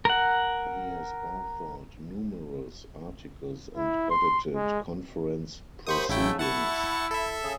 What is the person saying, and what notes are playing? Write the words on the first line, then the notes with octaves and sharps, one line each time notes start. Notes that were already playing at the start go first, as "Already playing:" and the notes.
He has authored numerous articles and edited conference proceedings.
A#4 F#5
E4
C6
G#3
D#2 C5 B5 C#6 D#6
A1 G#2 C#3 A3 E4 G5
E4 F#5 A5 C#6
A4 E5
C#3 G#4